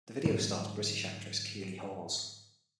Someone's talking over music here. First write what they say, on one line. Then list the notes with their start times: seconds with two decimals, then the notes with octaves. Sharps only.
The video stars British actress Keeley Hawes.
0.25 G#2 D3 F#3 G#3